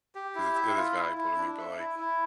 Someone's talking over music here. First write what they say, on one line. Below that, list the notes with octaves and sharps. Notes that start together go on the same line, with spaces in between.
'cause it's it is valuable to me, but, like,
G4
E4
E5
F4
E4
E4
D4
E5
E4
E4